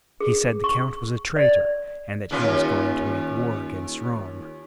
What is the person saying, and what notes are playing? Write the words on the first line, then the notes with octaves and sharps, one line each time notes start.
He said the count was a traitor, and that he was going to make war against Rome.
G#4
C#6
D5
D#2 C#4 F4